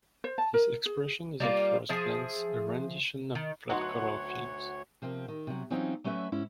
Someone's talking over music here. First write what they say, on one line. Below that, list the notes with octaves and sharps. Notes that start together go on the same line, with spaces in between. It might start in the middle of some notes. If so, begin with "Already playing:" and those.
This expression is at first glance a rendition of flat color fields.
C5
A5
A#4
G#4
G3 A#3 E4 F4
F3 G#4 E5
D#3
D2 F#3 B3 D#4 C#5 F#5 C6
C3 F3 A#3 C4
D#3
C3 F#3
E3 F#3 C4 C#4 D#4 F4
F#3 A3 C#4 B4 E5
G#2 C#4 E4